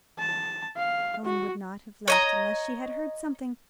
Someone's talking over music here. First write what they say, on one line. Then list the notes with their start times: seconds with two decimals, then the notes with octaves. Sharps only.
Helen would not have left unless she had heard something.
0.19 A5
0.77 F5
1.25 F#4
2.08 C#5 D#5 A#5